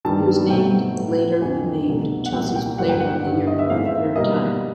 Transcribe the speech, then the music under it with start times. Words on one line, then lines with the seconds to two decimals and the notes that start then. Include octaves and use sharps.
He was named later named Chelsea's Player of the Year for the third time.
0.05 G2 D#3 G3 B3 A5
0.50 B2 F#3 A3 C4 G5
0.96 A2 F#3 B3
1.42 F2 D3 F3 G#5
1.87 C2 B2 F#3 A3
2.26 F#5
2.33 C2 A#2 F#3 G5
2.56 G5
2.78 G2 D3 F#3 A#3 F#5
2.89 G5
3.00 F#5
3.24 G2 D3 G3 B3
3.47 D#5
3.59 E5
3.70 G#2 E3 A3 C4 F5
3.85 E5
4.16 B2 G3 A#3 D#5